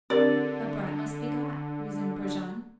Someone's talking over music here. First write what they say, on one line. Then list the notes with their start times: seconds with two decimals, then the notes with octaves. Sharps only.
"A brat must be got," resumed Brujon.
0.10 D3 C4 G4 A#4 D5